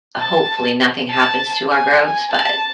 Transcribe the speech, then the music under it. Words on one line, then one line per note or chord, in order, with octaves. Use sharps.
Hopefully, nothing happens to our groves, but
A5
A5
G#5
G#5
A5